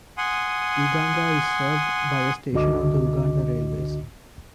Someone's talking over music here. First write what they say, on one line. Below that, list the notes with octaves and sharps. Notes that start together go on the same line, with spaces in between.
Iganga is served by a station on the Uganda Railways.
F#5 G#5 C6 D#6
G1 C#2 D3 F#4 D#5 D6